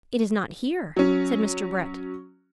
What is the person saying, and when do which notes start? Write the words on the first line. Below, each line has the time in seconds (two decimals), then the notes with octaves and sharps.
"It is not here!" said Mr. Brett.
0.97 F#3 C#4